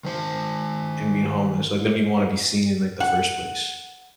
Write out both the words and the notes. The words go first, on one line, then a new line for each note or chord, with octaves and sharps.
in being homeless, like, they don't even wanna be seen in, like, the first place.
D#3 C5
F#5